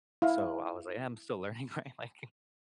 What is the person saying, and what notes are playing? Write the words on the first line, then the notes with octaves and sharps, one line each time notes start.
so I was like, "I'm still learning, right?" Like
E4 F5